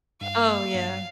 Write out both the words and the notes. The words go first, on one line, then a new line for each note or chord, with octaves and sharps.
Oh yeah.
G2 F5
A#3
G2